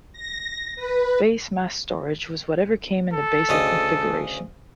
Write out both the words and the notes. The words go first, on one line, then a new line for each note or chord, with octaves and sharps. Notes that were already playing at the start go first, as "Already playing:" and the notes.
Base mass storage was whatever came in the basic configuration.
A#6
B4
A4
D2 C#3 D#5